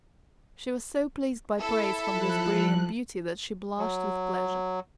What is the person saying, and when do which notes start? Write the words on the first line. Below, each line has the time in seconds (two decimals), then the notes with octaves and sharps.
She was so pleased by praise from this brilliant beauty that she blushed with pleasure.
1.59 E4 A4
2.09 F3 F#6
3.78 F#3